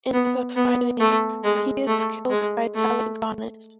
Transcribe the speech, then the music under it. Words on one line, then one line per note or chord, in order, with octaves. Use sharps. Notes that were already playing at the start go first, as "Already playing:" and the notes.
In the fighting, he is killed by Telegonus.
B3
B3
A3
G#3
A3
G#3
A3